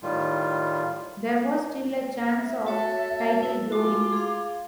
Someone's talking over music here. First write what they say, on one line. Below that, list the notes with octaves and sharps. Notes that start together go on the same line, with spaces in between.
There was still a chance of title glory.
A2 D#3 G3 F4
E5
F#4 A4 C#5
E4
G#3 F4 F#4 D6
G#4 F5